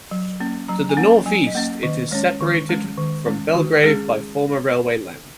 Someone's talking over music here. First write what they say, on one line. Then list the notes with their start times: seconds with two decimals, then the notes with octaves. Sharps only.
To the northeast it is separated from Belgrave by former railway land.
0.11 F#3
0.40 A#3 C#4
0.68 F#3 A#5
0.89 G#5
0.97 A#3 C#4 F#5
1.26 F#3 G#5
1.47 D#5
1.55 A#3 C#4 F#5
1.83 D#3 D#5
2.11 G#3 C#4 C#5
2.40 D#3
2.69 G#3 C#4
2.98 D#3
3.26 G#3 C#4
3.55 D#3 F#4
3.84 G#3 C#4 G#4